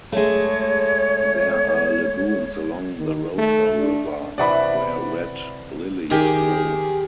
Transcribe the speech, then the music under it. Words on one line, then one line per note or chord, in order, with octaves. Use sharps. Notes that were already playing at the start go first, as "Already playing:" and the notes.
There are lagoons along the Roper River where red lilies grow.
G#3 A3 C#5
D#3
A3
D4
C3 E3 D5 E5 F#5 B5
D#3 G4 G#4